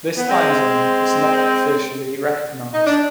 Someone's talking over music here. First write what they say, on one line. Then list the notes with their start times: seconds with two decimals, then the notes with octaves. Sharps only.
This time zone is not officially recognised.
0.17 B3
0.27 G#3 C4
2.73 D#4
2.85 D4